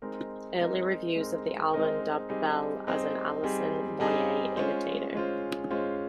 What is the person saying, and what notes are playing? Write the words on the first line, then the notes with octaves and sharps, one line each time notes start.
Early reviews of the album dubbed Bell as 'an Alison Moyet imitator'.
G#3 C4 D#4 A#4
G#3 C4 D#4 A#4
G#3 C4 D#4 A#4
G#3 C4 D#4 A#4
G3 C4 D#4 G#4
G3 C4 D#4 G#4
G3 C4 D#4 G#4
G3 C4 D#4 G#4
G#3 C#4 F4 C5
G#3 C#4 F4 C5
G#3 C#4 F4 C5